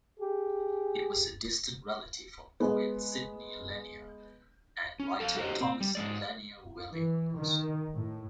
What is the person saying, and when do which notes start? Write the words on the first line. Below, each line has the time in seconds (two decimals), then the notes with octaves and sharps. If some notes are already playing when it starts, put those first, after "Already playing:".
He was a distant relative of poet Sidney Lanier and writer Thomas Lanier Williams.
0.20 G4 G#4
2.60 G#3 B3
5.00 C#4
5.20 A4 F5
5.37 F#4 G4 A#4 C5 D#5
5.61 C4
5.80 G3
5.95 G#2 G#3 D5
6.93 E3
7.37 D#3
7.93 A2